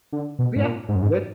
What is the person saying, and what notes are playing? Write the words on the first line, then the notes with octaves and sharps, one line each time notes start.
Oh yeah. Good.
D3
B2
G#2
A#2
G#2
F#2
G#2